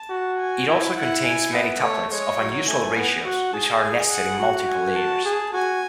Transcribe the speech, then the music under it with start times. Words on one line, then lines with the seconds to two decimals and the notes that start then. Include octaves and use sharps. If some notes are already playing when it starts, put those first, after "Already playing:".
It also contains many tuplets of unusual ratios which are nested in multiple layers.
Already playing: A5
0.10 F#4
0.38 G#5
0.68 E4
0.96 E4 F#5
1.24 G#5
1.53 B3 E5
1.81 A3 C#5
2.10 G#3 C#5
2.38 F#3
2.67 A3 G#5
2.95 B3
3.24 F#4 F#5
3.53 G#4 A5
3.81 G#5
4.10 F#5
4.39 F#4
4.68 G#5
4.96 A5
5.25 G#4
5.53 F#4 G#5